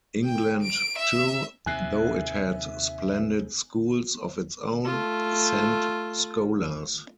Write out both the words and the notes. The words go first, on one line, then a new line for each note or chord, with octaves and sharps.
England too, though it had splendid schools of its own, sent scholars.
G5
D7
E5
D#2 C3 E5 G#5 F#6 C7
A3 F4